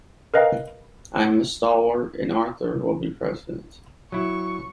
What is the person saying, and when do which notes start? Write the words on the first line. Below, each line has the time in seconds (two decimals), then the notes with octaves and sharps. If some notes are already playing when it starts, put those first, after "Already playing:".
I am a Stalwart and Arthur will be President.
0.34 A#4 B4 D#5 F5 G5 A#5
4.12 F#3 E4 C#6